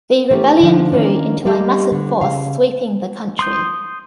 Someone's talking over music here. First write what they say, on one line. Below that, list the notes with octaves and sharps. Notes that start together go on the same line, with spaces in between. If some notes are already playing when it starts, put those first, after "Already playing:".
The rebellion grew into a massive force sweeping the country.
E3 A3 A#3 C#4 G4
D3 F3
D#3 A#3 C#4 D4
G3 G#3 A#3 G4
D3 G3
C#3 F5
C6 D#6 G6